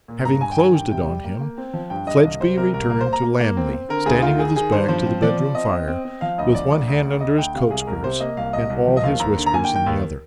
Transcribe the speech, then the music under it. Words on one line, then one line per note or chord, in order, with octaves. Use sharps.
Having closed it on him, Fledgeby returned to Lammle, standing with his back to the bedroom fire, with one hand under his coat-skirts, and all his whiskers in the other.
A#2
G2 A#5
G2 G#5
G5
D#3 G#5
G2 G5
C3 G5
G3
A#3
A#3
C4
F3
G2 G5
G2 D#5
C2 D#5
G3 C5
C3 A#4
C2 A#4
A#3 A#4
C5
A#3
A#5
A#3
A#3
C4
C4
D3 A#4
D2 G#4
D#3 F4
D#3 G#4
D#3 G#4
G2 C5
F3 C5
C4
F3 D5
F3
C4 D#5
C4
C4
C4
F3 F5
D2 D#5
F3 D5
D2
D2
D2
D2 D#5
D2 G5
C3 F5
C2 G#4
C2 A#4
C3 C5
A#3 D#5
C2 F5
C2 D#5
C2
F3
D#5
D#2 F5
D#2 A#5
D3
A#5
A#3 G#5
G5
D#3
G5
D#2